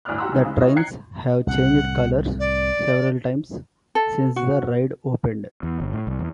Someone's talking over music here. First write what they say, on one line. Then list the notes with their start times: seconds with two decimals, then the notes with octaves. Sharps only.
The trains have changed colors several times since the ride opened.
0.05 G1 D2 A2 D5 F6 F#6
0.18 F#4 G4 F#5 A#5 C6 E6
0.32 D2 A2 G3 C4 D#4
0.45 C#3 G#3
0.61 E4 F4 C#5 D#5
0.76 G5 A#5 F#6 G#6 C7 C#7
1.47 C2 A2 F#5
2.39 D5
3.95 A4
4.36 F#4
5.63 E2
5.80 G1
5.93 A2
6.07 C2
6.19 E2